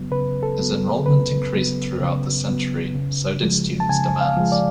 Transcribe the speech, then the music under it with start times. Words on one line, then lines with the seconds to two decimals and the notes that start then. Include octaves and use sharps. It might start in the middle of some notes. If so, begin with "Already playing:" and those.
As enrollment increased throughout the century, so did students' demands.
Already playing: C#3 F#3 B3
0.11 C#3 B4
0.43 A4
0.59 F#3 B3
1.06 C#3 B4
1.53 F#3 B3
2.01 C#3
2.48 F#3 B3
2.95 C#3
3.42 F3 G#3
3.80 A5
3.89 C#3 G#5
4.21 F5
4.37 F3 G#3
4.52 D5